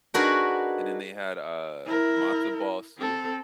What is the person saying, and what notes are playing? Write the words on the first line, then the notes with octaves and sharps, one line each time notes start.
And then they had, uh, matzo ball soup.
D4 D#4 F#4 G#4 A#4 B4
E4 A#4
C4 A4